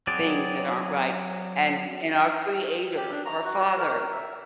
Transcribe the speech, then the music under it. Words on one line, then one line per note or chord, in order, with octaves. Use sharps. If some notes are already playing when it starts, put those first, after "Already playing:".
things that aren't right, and in our Creator, our Father
F#3 C4 G#4 D5
G4
D4
A#5
F#4
A#4
E5